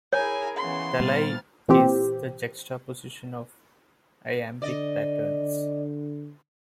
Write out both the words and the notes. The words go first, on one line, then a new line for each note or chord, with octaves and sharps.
Thalai is the juxtaposition of iambic patterns.
E4 G#4 A#4 C#5 G#5
C#3 E3 B3 C6
F2 A#2 G3 B3 F6 A6
A#2 E3 C4 G4
D3 D5 D#5